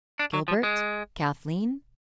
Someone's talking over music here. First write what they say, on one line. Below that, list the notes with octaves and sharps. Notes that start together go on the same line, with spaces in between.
Gilbert! Kathleen!
D4
F#3
F3
G#3